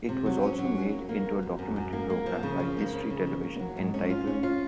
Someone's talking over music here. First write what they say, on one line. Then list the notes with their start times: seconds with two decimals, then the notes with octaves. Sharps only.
It was also made into a documentary program by History Television, entitled "".
0.09 C3
0.26 F#3
0.43 C#4
0.59 F#3
0.75 C#4
0.92 A#3
1.09 A#3
1.26 F#2
1.43 F#2
1.59 F#2
1.76 F#2
1.93 A#3
2.10 A#3
2.26 F3
2.43 C#3
2.60 F3
2.77 A#3
2.93 C#3
3.10 C#3
3.27 F3
3.43 A#3
3.59 F#3
3.77 G#2
3.94 C#4
4.10 F4
4.27 C#4
4.43 F4